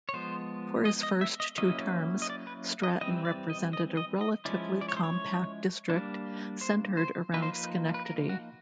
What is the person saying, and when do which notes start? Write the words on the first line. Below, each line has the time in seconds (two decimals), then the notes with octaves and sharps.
For his first two terms, Stratton represented a relatively compact district centered around Schenectady.
0.09 C#5
0.14 F3 G#3 B3 C5
0.85 D#5
1.03 D#5
1.21 E5
1.40 D#5
1.58 F#3 A#3 C#4 E4 D#5
2.22 D#5
2.30 D5
2.47 B4
2.83 D#5
3.01 E3 G3 C4 D#5
3.25 D5
3.50 D#5
3.73 D#5
3.97 D#5
4.21 D#5
4.45 F3 G#3 C#4 E4 D5
4.81 D5
4.89 C#5
4.97 C5
5.03 C#5
5.90 G3 A#3 D4
6.61 C5
6.97 C5
7.34 F3 A#3 D#4 B4
7.42 C5
7.52 B4
7.94 B4
8.05 A#4
8.29 F#4